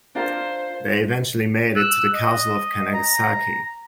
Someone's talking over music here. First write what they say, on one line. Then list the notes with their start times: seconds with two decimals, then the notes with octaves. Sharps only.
They eventually made it to the castle of Kanagasaki.
0.15 D4 F4 A#4 C5
1.76 E6 F#6
2.13 D#5
2.93 A#5